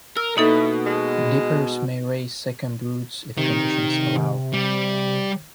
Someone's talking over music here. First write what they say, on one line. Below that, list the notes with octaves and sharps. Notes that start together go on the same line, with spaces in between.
Dippers may raise second broods if conditions allow.
A#4 E6
B2 A#3 D#4 E4 A4
G#3
C3 D#3
G3